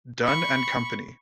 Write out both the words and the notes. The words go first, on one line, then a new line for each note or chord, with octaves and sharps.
Dun and Company.
B5 C#6